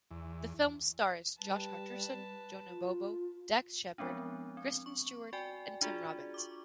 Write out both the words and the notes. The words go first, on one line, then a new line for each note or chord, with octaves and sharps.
The film stars Josh Hutcherson, Jonah Bobo, Dax Shepard, Kristen Stewart, and Tim Robbins.
E2
G3 B4 A5
F4
F3 G#3 B3 C4 D4
C4
C#6
F#4 D5 G5 G#5
D4 F4 F#4 G#4 D5
C#6 D6